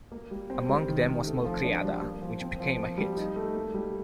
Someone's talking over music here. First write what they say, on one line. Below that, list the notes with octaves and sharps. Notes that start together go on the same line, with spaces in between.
Among them was "Malcriada" which became a "hit".
A#3
G3
C4
G3
D#3
C3
A3
F3
D4
G3
A#3
F3
C4
F3
A#3
G3
D#4
A3
A#3
G3